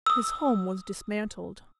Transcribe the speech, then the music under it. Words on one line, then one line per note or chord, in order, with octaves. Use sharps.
His home was dismantled.
D#6 E6